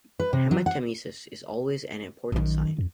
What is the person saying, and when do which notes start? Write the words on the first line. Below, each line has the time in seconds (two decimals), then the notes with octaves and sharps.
Hematemesis "is always an important sign".
0.20 B4
0.33 C3
0.51 F#3
0.66 F#5
2.32 A#1 F#2 D#3
2.78 F2